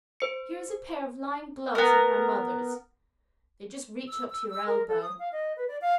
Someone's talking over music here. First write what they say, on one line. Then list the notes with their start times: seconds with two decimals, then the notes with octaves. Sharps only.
Here is a pair of lined gloves of my mother's; they just reach up to your elbow.
0.20 C5 C#7
1.75 B3 A#4
4.08 E6
4.30 E6
4.50 E6
4.67 A#4
4.88 A4
5.02 D#6
5.19 F5
5.32 D#5
5.56 B4
5.68 D5
5.81 F5